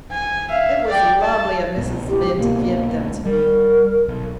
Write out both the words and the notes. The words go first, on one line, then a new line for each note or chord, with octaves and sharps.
It was lovely of Mrs. Lynde to give them to me.
G#5
E5 F5
D5 G5
A5
C2 G#2 B2
G4
C2 G#2 B2 A#3
G3 A#4
B1